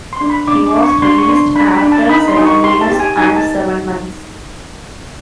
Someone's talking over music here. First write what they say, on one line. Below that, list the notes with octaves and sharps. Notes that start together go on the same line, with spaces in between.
He was released after seven years and seven months.
C6
D4
B5
D4 D6
D6
D4
C#6
D4 C6
C#6
D4 C6
D4 B5
B5
D4
A5
D#4 B5
C6
D#4
C#6
G4 C6
A5
G4
G#5
D#4 G#5
A5